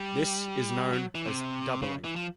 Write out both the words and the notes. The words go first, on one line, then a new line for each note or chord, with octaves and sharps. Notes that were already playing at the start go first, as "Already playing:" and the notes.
This is known as "doubling".
Already playing: G3
F#3
E3
C3
C#3
E3
F3